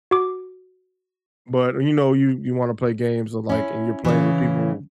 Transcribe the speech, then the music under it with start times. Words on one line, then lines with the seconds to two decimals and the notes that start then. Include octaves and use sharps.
But you know, you you wanna play games or like, and you're playing with people
0.11 F#4 D6
3.49 C#4 E4
4.05 C#3 E3